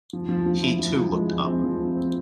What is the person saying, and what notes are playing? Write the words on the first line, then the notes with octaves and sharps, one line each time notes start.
He too looked up.
F3
F3
F3
E4
F3
F3
G#3
F3
C4
F3
C4
C4